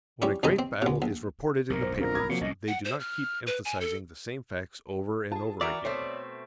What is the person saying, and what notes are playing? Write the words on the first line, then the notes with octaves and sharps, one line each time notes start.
When a great battle is reported in the papers, they do not keep emphasizing the same facts over and over again.
G3 C#4 E4
A1 F#2 C3 D#4 G#5 A5
C4
D2 C3
A#1
B1 G2 A#2 A#4
C5
D3 C4 F4 A#4
B5 G#6
C3 F3 F#3 A#3
C2 A2 C#4 D#5
F#5
C5
F6
B4
G#5
A4
F4 G#4 A5
E3 F#4 A#4 D5 E5 D7
B2 A3 C4 C#5